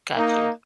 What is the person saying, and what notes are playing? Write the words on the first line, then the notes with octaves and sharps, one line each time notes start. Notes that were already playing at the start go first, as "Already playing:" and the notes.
Got you.
A#3 D#4